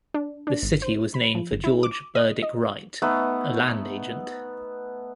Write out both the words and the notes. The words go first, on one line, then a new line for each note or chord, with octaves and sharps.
The city was named for George Burdick Wright, a land agent.
D4
D4
G#1
C5
B5
F3
G1
E4
D6
D#5
D#5
A3 B3 D#4